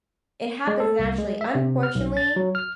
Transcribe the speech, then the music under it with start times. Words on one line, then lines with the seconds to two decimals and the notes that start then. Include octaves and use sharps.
It happens naturally. Unfortunately,
0.67 G#3
0.80 A4
0.99 C2
1.18 G#3
1.41 E5
1.55 C3
1.83 F6
1.95 B1
2.17 A6
2.36 F#3
2.55 F6